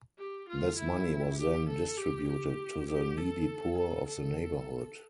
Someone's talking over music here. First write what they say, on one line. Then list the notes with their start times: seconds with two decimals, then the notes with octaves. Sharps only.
This money was then distributed to the needy poor of the neighborhood.
0.18 G4
0.48 F4
0.78 E4
1.38 G4
1.69 A4
1.97 G4
2.27 G4
2.89 G4
3.18 A4
3.78 A4
4.08 A4